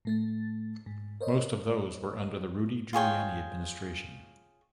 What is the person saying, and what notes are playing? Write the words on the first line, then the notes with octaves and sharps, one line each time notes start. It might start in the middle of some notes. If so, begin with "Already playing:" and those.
Most of those were under the Rudy Giuliani administration.
A2 A3 A6
G#2
A#4 C5 C#5 D#5
F4 G#4 C#5 G5